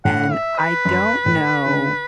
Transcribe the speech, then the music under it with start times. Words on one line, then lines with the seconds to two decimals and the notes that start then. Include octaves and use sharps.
and I don't know
0.05 A2 F#5
0.32 E5
0.58 B4
0.85 F#2
1.26 A2
1.66 D3